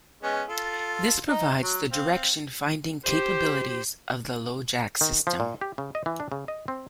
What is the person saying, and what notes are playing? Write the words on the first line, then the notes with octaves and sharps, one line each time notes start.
This provides the direction finding capabilities of the LoJack system.
G#3 B3 C#4
F4 A4
D#4
F#3
C4 F5
G4 C5
D#3
F3
A#2
G4
C#3
D#5
E3
D4
C#3
D#5
C4